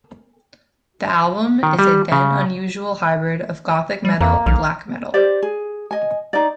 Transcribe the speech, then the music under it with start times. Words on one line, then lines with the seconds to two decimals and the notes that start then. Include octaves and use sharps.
The album is a then-unusual hybrid of gothic metal and black metal.
1.63 D#3
1.79 G3
2.12 C#3
4.05 G3
4.21 F2 A#3
4.46 B1 F5
5.14 G4 C5 D5
5.42 G#4
5.91 D#5 G#5
6.33 D#4 D5